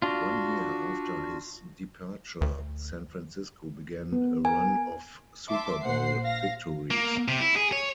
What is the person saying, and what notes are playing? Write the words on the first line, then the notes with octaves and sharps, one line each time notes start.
One year after his departure, San Francisco began a run of Super Bowl victories.
D4 F4 F#4
D2
B3
A#4 G#5
E5 A5 C6 D6
A#1 A#2 C5 F#5 C7
F5 A#6
A#3
C3
E4
G#4
C#5